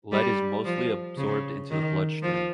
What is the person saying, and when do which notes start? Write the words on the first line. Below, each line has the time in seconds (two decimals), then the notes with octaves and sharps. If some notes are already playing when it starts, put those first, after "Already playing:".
Lead is mostly absorbed into the bloodstream.
0.12 G3
0.65 F3
1.17 C#3
1.70 D#3
2.22 F3